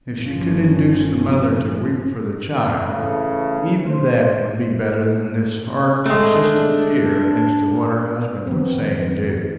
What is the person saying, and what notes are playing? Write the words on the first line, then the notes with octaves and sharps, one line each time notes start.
If she could induce the mother to weep for the child, even that would be better than this hard, persistent fear as to what her husband would say and do.
G1 F3 C#4
C#3 E3 A3
C5
G#3 A3 C4 G#4
D4
D#3 F3 B3 C4 D4